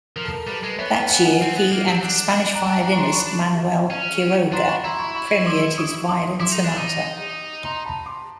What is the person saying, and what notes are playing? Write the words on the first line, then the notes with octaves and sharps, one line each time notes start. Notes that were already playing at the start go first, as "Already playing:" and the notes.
That year he and the Spanish violinist Manuel Quiroga premiered his Violin Sonata.
F3 A#4
A4
A#4
G3 A4 B4
G#3
B3 B4 C#5
F5 G5
F#5 G#5
F#5 G#5
C4
B3
A#3
C4
D4
A#5
G5 A5
G#5 A#5
C#6
A#5 C6
B5 C#6
C#4
D4 A#5 C6
B5 C#6
E4 A#5 C6
B5 C#6
B5 C#6
C6 D6
C#6 D#6
C6 D6
E4 C6 D6
D#4
D4
D#4
A#5 C6
A5 B5
C6 D6